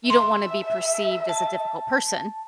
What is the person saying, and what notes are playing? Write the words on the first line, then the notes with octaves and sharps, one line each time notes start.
you don't wanna be perceived as a difficult person.
E5 C6
A5